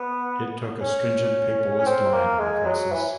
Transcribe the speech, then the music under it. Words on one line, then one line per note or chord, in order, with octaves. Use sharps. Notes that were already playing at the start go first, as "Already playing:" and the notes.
It took a stringent papalist line on the crisis.
Already playing: B3
C#4
C#4
C4
A#3
G#3
F#3
E3